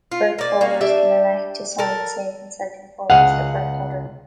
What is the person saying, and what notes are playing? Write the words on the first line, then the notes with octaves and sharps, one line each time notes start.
Birth fathers can elect to sign the same consenting forms as the birth mother.
F4
A#3 D5
A#3 C#4 F#4
D4 G4 D5 E5
A4 A#4
C#2 G#4 F5 F#5